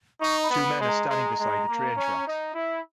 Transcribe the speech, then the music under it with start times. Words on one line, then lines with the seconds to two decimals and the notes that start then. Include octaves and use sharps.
Two men are standing beside the train tracks.
0.21 D#4 C#6
0.43 B5
0.51 B3
0.65 B5
0.80 G#3
0.88 A#5
1.09 G#3
1.38 G#3
1.68 A#3
1.97 C#4
2.26 D#4
2.55 E4